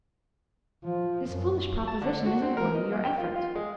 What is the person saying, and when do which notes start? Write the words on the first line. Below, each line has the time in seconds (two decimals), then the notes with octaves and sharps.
This foolish proposition isn't worthy your effort.
0.84 F3
1.30 F#2
1.87 A5
2.02 D3
2.26 F#4
2.42 C4
2.57 A#4
2.75 D#5
2.92 A#3
3.04 G5
3.18 F4
3.36 F4
3.55 G#3